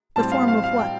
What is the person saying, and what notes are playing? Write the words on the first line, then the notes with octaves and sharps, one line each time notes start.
The form of what?
A2 G3 C4 A5
F5
F5
F5
G5